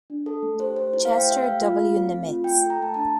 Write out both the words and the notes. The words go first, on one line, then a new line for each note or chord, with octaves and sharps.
Chester W. Nimitz.
D4
A4
A3
G4 C5
A3 C5
E4 C5
F5
A3
G5
G4 E5
A3 F5
F4
A3
C4
A3
F4
A3 G5
A4
A#5
A3 A5
D4 A5